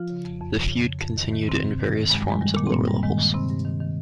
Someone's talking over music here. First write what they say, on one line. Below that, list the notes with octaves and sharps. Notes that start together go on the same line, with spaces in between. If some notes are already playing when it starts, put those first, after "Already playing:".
The feud continued in various forms at lower levels.
Already playing: F3 F4
C#3
F2
F2
C#3
C#3
F2
F2
D#3
D#3
G2 C3 C4
G2
D#3
D#3
G2 G#3
G3
G2 G#3
D#3 G3
A#2 D#3 A#3
C4
G2 A#2 A#3
G2 G3
D#3 G#3
D#3
G2 C3 C4
G2
D#3
D#3